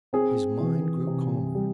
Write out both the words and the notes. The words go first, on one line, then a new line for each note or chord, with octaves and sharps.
His mind grew calmer.
C4 G#4
E3
C3
G3